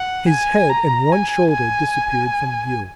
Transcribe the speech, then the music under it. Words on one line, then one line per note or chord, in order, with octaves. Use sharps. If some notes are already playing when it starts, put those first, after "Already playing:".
His head and one shoulder disappeared from view.
Already playing: F#5
G#5
A#5
G#5
G#5